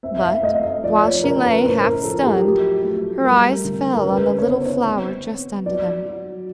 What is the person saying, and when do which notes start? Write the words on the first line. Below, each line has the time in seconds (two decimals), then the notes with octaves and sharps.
But while she lay half-stunned, her eyes fell on a little flower just under them.
0.03 C4 E5
0.16 E5
0.23 F5
0.43 A3 D#5
0.63 D#5
0.83 F3 D5
1.03 C#5
1.24 C#3 A#4
1.43 B4
1.64 A2 C5
1.84 A#4
2.04 F3 A4
2.24 G4
2.45 F#3
2.84 A3
3.24 G3 A#4
3.65 D3
3.94 A#4
4.04 C#3 B4
4.25 B4
4.38 C#5
4.45 B3 C5
4.58 C5
4.65 C#5
4.85 C4
5.25 C4
5.66 F#3 D5
6.05 F#3